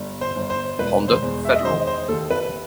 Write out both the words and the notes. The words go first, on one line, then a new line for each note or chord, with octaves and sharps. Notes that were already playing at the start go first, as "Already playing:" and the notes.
Honda Federal.
Already playing: G1
C5
G1
C5
E1 B4
C5
E2
E5
D#5
D#3 C5
D#5
C5
D#2 A4
B4